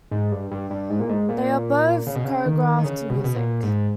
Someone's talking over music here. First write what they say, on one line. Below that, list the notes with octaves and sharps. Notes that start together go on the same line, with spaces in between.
They are both choreographed to music.
G#2
G2
G2
G2
G#2
A#2
G#2
A#2
C#3
B2
C#3
D#3
D#3
C#3
B2
C#3
B2
A#2
G#2